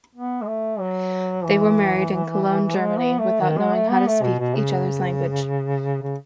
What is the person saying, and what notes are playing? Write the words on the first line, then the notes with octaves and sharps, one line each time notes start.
They were married in Cologne, Germany, without knowing how to speak each other's language.
B3
G#3
A3
F#3
E3
G#3
B3
A3
D#3
G#3
A3
B3
A3
B2
B2
C#3
C#3